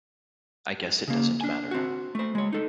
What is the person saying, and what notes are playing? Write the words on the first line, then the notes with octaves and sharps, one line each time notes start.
I guess it doesn't matter.
C#3 A#3
D4 G#5
C4 F#4
A3 C5
G#3 C#5
D#4 A4